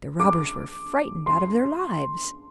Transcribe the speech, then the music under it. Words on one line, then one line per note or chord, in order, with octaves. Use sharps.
The robbers were frightened out of their lives.
D6
C6